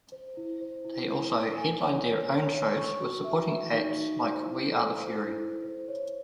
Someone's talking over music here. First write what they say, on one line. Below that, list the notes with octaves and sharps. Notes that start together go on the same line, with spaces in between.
They also headlined their own shows with supporting acts like We Are The Fury.
C5
E4
C5
E4
E4
E4
G#5
C#5
C#5
C#5
C#5
C#6
F#4
E5
E5
D#4
D#4
C5
E4
A4
C5
E4
E4
C5
C#5